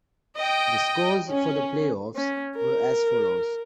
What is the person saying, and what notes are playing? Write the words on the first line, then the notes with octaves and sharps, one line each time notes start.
The scores for the playoffs were as follows.
D#5 G5
C#4
C#4
A#4